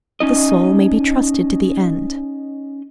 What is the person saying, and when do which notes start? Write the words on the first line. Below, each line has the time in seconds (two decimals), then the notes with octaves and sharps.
The soul may be trusted to the end.
0.20 C#4 D#4 D#5